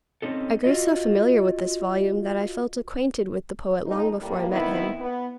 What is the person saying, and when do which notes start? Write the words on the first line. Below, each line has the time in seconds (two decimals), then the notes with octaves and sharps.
I grew so familiar with this volume that I felt acquainted with the poet long before I met him.
0.22 C4 C#4 D#4 A4
0.64 F4 F#4 D#5
3.86 F2 A2 D#4
4.21 A2 G3 A#3
4.50 D#3 B3 C4 E4
5.00 B3